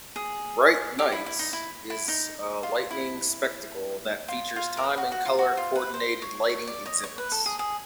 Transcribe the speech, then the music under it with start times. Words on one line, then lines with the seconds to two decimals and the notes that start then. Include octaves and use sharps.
Bright Nights is a lighting spectacle that features time and color coordinated lighting exhibits.
0.16 G#4
0.99 G4
1.12 E4
1.26 E4
1.39 D#4
1.53 E4
1.90 E4
2.08 D#4
2.63 F4
2.91 E4
4.28 F4
4.56 F4
4.77 A#4
4.84 B4
4.98 F#4
5.12 F#4
5.25 F4
5.39 F#4
5.57 F4
5.75 B4
5.94 C5
6.22 C#5
6.49 C#5
6.67 D5
6.86 C#5 D#5
7.04 C#5
7.18 B4
7.32 A4
7.46 G#4
7.59 G#4